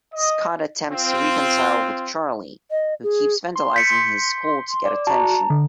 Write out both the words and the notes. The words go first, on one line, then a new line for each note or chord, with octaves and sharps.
Scott attempts to reconcile with Charlie, who keeps vandalizing his school to get attention.
D#5
C4 F4
D#5
G#4
C6
G6 B6 C#7
D5
F#4 A5 A#5
D3